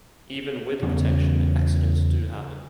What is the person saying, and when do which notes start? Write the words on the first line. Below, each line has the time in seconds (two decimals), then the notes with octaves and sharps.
Even with protection, accidents do happen.
0.82 E2 C#3 B3